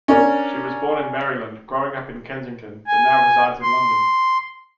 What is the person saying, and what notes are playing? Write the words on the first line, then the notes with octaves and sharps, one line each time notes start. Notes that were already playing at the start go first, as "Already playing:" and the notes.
She was born in Maryland, growing up in Kensington, but now resides in London.
C#4 D4 A#4
G#5
C6